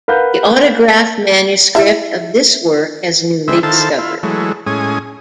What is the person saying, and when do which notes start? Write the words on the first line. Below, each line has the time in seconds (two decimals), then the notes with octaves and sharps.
The autograph manuscript of this work has newly discovered.
0.08 A#4 B4 F5 F#5 G6
1.75 E4 E5
3.48 D3 G#3 C4 E4 E5
3.63 D#3 E4 F4 A4 C5 A5
3.98 E4 F4
4.23 E3 F#3 G#3 A3
4.66 A2 G#3 C#4 G#5 D#6